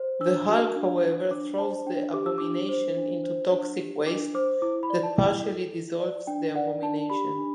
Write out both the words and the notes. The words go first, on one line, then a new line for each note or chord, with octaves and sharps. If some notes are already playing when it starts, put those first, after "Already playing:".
The Hulk, however, throws the Abomination into toxic waste that partially dissolves the Abomination.
Already playing: C5
D4 E6
F#4
D4
C5
D4 D6
C5 A5
D4 G5
G4 D6
E6
D4 D6
C5
D4
C5
D4
G4
D4 D6
C5 D6
E4 D6
B5
D5
A5
E4
A4
E4
D5
D4 G5
D5 F#5
D4 A5
G4 B5
D4